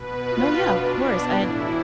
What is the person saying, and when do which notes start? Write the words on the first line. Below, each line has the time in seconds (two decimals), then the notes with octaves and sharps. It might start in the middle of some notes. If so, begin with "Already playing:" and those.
No, yeah, of course and
Already playing: B2 B4
0.24 F4
0.59 B2 D4
1.30 A2 E3 E4